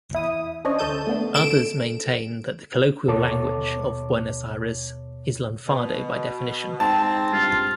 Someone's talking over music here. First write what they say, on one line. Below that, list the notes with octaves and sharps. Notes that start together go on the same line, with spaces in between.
Others maintain that the colloquial language of Buenos Aires is lunfardo by definition.
E2 E4 D#6
C#4 D4 C5 C#5 D#5
C#2 D3 A4 A5 G6 D#7
A3 B3 D4
C#3 A4 D7 E7
D#2 B2 A4 C#5 D6
B2
G#2 C4 A5
G2 F4